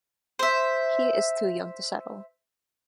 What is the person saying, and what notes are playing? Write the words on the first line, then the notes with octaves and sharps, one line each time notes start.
He is too young to settle.
C5 E5